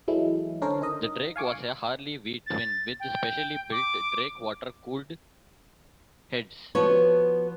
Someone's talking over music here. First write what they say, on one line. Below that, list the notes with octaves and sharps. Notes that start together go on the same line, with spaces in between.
The Drake was a Harley V-twin with specially built Drake water cooled heads.
E3 F#3 G#3 A3 E4
D3 C#4 A4 A#4 C5 C#5
D#4 A#4 D#5
F5 G#5 C#6 D6
A6
G5
D6
F3 B3 F#4 B4 C#5